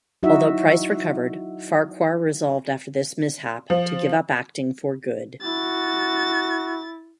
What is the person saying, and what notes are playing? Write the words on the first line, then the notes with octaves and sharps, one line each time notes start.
Although Price recovered, Farquhar resolved after this mishap to give up acting for good.
F#3 D#4 E4 F#4 E5
F3
E4 F#4 A6